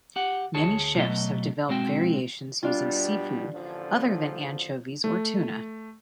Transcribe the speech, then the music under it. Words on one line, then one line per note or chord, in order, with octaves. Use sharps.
Many chefs have developed variations using seafood other than anchovies or tuna.
G4 F#5
D2 G#4 C#5 A5
B2 F#3 A3 D#5
B1 G#3 C4 F#4 G5
B2 G3 D4 F4
A1 D3 F3
A3